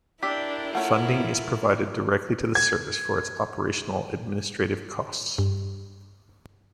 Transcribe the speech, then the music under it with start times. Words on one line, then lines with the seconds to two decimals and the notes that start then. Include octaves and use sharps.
Funding is provided directly to the service for its operational administrative costs.
0.23 D4 E4 G4 A#4 G5 E6 B6
0.75 A3 C#4 F4 F#5
2.55 G#6
5.38 G2